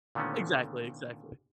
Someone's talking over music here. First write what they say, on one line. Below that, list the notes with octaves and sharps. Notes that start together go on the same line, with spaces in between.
Exactly, exactly.
A#2 D3 D#3 A3 B3 C#4